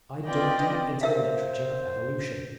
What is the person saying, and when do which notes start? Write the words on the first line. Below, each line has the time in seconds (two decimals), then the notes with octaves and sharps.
I dug deep into the literature of Evolution.
0.25 C4 F4 B4 D5 D#5 G5
1.01 A#4 C5 E5 F5